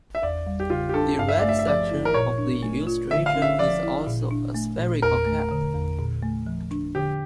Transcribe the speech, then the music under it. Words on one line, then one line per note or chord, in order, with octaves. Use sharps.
The red section of the illustration is also a spherical cap.
E5
E2 D5
G3
G4
C#3 F4
G4
D4 A4
G2 F5
E5
A3 D5
E5
E5
F3 D5
E4
A#4
A#2 C#5
D4
A3
F4
D3 E5
F5
C#4
E5
F3 D5
E4
A#2
D4
A3
A#2
E2 A#4
A3
D3
E2
A#2
A3
F3
D4
D3 G4